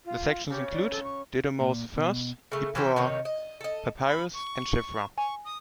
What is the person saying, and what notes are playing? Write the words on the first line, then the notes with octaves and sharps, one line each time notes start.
The sections include, Dedumose I, Ipuwer Papyrus and Shiphrah.
F4
C#3 G4 C#5
D5
A4
C#6
A#2
B2
C#3 A3
E3 C#4 G4 C5
C3 D#3 D#4 C#5
D#5
A4 D#5
B5
C#6
G#5 C#6
D#6